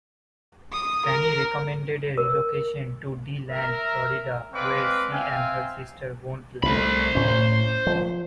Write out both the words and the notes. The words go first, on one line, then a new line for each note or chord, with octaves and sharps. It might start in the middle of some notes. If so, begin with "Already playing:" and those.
Fannie recommended a relocation to DeLand, Florida, where she and her sister owned land.
D#6
A#4
A#4
A#4 E5
G#3 C4 B4 D5 F5 D6
C4 E5 F5 G5 G#5
C2 A3 C5 B5
A2 C#4
F3